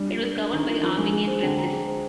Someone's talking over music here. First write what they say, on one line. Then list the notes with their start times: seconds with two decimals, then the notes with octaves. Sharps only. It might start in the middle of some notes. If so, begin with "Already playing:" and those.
It was governed by Armenian princes.
Already playing: G3 D4 D5
0.09 F4
0.23 A#4
0.38 D4
0.53 D#3 D4
0.68 F4
0.83 F3 A#4
0.97 G#3 D4
1.13 G#4
1.27 C5
1.43 D3 G5
1.57 A#5
1.73 G#4
1.87 C5